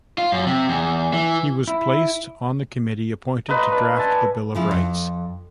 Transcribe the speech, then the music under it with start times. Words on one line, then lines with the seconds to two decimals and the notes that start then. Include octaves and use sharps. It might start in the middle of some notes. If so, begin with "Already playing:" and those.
He was placed on the committee appointed to draft the Bill of Rights.
0.18 F4
0.32 F#2
0.46 C3
0.68 E2
1.14 E3
1.68 E4
3.49 D#4 F4 B4 D#5
3.72 D4 B4
3.96 E5 G#5 A5
4.55 C#3 F3 E4
4.71 F2